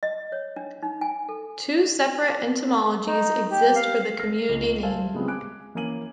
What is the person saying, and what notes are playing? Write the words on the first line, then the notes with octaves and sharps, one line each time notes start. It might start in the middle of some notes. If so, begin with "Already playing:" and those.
Two separate etymologies exist for the community name.
D#5
C#5
D4
D#4
G#5
A4
D#4
G4
F5
F6 A#6 C7
C#2
C5 E5 F5 G#5 A5
C#3 G#3 B3 C4 F4 G#4
G#5 D6 F#6 D7
E3 A#3 C#4 G#5 D#7 F#7